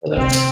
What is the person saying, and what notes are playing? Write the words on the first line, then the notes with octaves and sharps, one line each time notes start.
So, that's
C3 C4